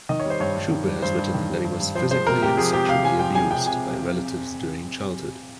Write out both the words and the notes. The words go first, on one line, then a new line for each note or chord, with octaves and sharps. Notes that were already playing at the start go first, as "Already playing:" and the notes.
Shupe has written that he was physically and sexually abused by relatives during childhood.
D#3 D#5
C#5
G3 C5
G2 C#5
G2
D#3
G3
G2 C5
G2
D#3
G3
G2
G2
F3 C5
G#3 C5
C3 A#4
C3 G4
F3 G#4
G#3 G4
C3 F5
C3 G#5
F3 G5
G#3 G#5
C3 G5
C3 G#5